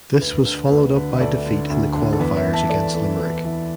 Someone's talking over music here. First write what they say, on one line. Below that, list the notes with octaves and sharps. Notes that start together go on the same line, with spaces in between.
This was followed up by defeat in the qualifiers against Limerick.
D2 B4
D3
D2 B4
D3 B4
E5
D2 A4 D5
D3
D2
D3
A4
E2 B4
B4 E5
E3
E5 A5
E2 A4 D5
E3 A4
E2 B4
E3